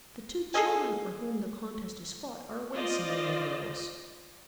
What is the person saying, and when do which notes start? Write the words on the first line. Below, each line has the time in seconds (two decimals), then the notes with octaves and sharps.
The two children for whom the contest is fought are winsome little girls.
0.54 G#4 A4 D#5 G#5
2.73 F4 C5 D5 D#5